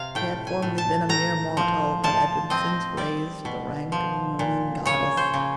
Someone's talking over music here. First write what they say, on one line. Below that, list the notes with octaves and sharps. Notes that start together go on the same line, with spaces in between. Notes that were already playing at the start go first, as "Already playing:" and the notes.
She had formerly been a mere mortal, but had been since raised to the rank of a marine goddess.
Already playing: C3 F5
A2 G5
G#5
A2
A5
A2 A#5
F3
F3 A5
C4 D#5
G3 D5
B2
F3
A#2
C#3 C#5
C5
C#3